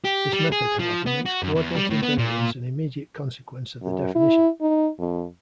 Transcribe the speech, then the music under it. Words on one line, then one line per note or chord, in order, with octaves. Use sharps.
This method, however, makes coordinate invariance an immediate consequence of the definition.
G4
G3
G#4
F3
B3
F#4
F#2
E2
G3
A2
B3
A#2
F#2
E4
D#4
F2